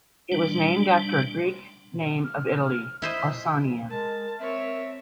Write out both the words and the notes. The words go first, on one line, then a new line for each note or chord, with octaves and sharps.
It was named after a Greek name of Italy, Ausonia.
G3 D4
F6
E4 C5 D#5 B6
G#3 A#4 A5
C4 C#5 E5